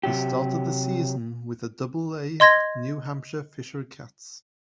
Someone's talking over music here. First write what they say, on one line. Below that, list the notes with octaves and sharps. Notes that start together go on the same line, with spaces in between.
He started the season with the Double-A New Hampshire Fisher Cats.
C3 F#3 G4
D#5 C6 G#6 A#6